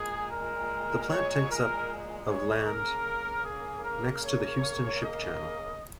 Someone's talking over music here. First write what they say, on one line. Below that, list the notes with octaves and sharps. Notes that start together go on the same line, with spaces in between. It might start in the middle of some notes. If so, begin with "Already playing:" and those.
The plant takes up of land next to the Houston Ship Channel.
Already playing: A#2 G#3 G#4
A#4
C#5
A#4
C#5
C#3 A#3 A#4
G#4
A#4
C#5
D#5